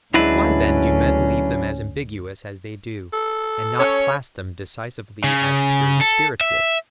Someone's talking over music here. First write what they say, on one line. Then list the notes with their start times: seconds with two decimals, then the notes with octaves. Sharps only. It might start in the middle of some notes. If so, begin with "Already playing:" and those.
Why then do men leave them as ambiguous as they do, and not class them decisively as purely spiritual?
0.14 D2 F#3 G#3 C#4 D4 E4 B4
3.13 A4
3.78 C#4 C#5
5.24 C#3
6.01 A4
6.41 E5